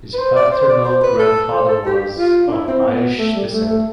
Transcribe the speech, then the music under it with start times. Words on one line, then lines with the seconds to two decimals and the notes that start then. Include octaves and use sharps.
His paternal grandfather was of Irish descent.
0.14 B4
0.19 C5
0.36 D5
0.51 C5
0.62 C5
0.69 D5
0.85 C5
1.02 B4
1.19 A4
1.52 C5
1.68 A4
1.86 G4
2.18 F4
2.47 D4
2.52 E4
2.68 C4
2.86 B3
3.18 A3
3.35 G3
3.52 A3
3.69 A3